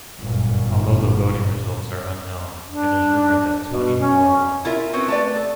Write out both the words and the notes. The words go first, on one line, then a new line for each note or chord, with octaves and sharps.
Although the voting results are unknown, it is rumoured that Tony Moore won.
G1 F#2 A#2
D4
B2
C#4
E4 F4 A#4 E5
C4 C#4 F#4 B4
A3 B4 D5
A4